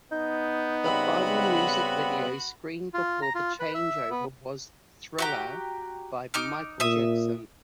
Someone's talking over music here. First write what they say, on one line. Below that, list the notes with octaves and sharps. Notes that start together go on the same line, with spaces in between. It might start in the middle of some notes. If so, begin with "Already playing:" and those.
The final music video screened before the changeover was "Thriller" by Michael Jackson.
B3 D#4 G6
C#3 G3 C4 F#4 B5
F4
A#5
F4
B4
E5
B3
F#4 G4 A#5
D#4 D6 F6
A#2 E5 D#6